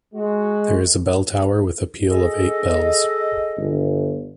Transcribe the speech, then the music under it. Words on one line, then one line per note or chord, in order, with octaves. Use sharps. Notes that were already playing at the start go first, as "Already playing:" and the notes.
There is a bell tower with a peal of eight bells.
G#3 F#4
G#4 A4 D#5
G1